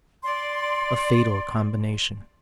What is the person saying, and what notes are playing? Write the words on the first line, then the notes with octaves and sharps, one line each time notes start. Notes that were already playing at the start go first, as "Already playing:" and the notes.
A fatal combination.
D5 C6